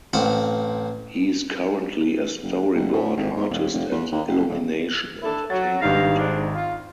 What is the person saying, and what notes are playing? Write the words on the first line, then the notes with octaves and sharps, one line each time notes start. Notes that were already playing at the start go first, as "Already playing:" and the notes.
He's currently a storyboard artist at Illumination Entertainment.
A1 C4 C5 F5 F#5
F#1
F#1
A2
G#1
G#2
D#1
F1
E2
D#2
F#1
D#1
D4 E4 A4
F#3 A6
G#1 G2 D#4 F5 A#6
G#2 D4
F4